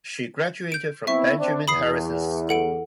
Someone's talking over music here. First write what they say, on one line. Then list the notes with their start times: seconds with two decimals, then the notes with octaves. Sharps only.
She graduated from Benjamin Harrison School.
0.72 G6 D7
1.07 B3 C4 E4 E5 C#6
1.39 C4 D4
1.68 E2 B5 D#6 C7
2.49 A4 F#5 D7